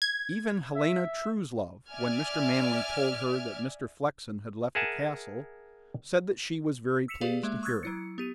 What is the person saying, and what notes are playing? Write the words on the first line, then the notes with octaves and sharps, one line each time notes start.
Even Helena Truslove, when Mr. Manley told her that Mr. Flexen had left the Castle, said that she was very pleased to hear it.
G#6
E5
D5 E5 G#5 F6
G#4 A#4 E5 F#5 G#5 A5
E6 B6 C#7 E7 F7
B3 G4 G#4 B4 D5 F5
G#3 A#3 E5
C#6 D#6 E6 F#6 G#6 A6
F#3 E4 C#7
B3 G4 D#7